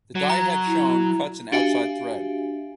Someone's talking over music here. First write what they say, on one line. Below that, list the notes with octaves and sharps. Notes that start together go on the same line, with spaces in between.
The die head shown cuts an outside thread.
F#3
A#5
E4
D4 F#4 G4 E5 F5 G#5